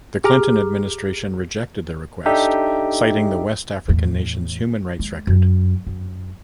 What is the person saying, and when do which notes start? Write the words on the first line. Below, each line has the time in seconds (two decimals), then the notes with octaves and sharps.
The Clinton administration rejected the request, citing the West African nation's human rights record.
0.24 G4 G#4 A#5 D6 F6
2.26 D4 D#4 G4 A4 E5
3.89 E2 A2
4.99 G#3
5.27 F#2
5.87 F#2